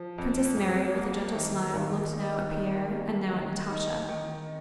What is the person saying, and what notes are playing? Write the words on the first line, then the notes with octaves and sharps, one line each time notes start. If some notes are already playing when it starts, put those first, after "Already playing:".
Princess Mary with a gentle smile looked now at Pierre and now at Natasha.
Already playing: F3
F2
F2
A#3
D#3
D#3
D#4
D#3
A#3
D#3
D#4
D#3